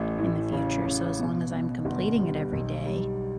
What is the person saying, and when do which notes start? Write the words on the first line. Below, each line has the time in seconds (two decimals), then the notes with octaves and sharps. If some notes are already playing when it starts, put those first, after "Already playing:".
in the future. So, as long as I'm completing it every day,
Already playing: A1 A3
0.18 A2
0.52 C#3
0.85 C#3
1.19 B2
1.53 B2
1.85 G1
2.19 G3
2.52 B1
2.86 G3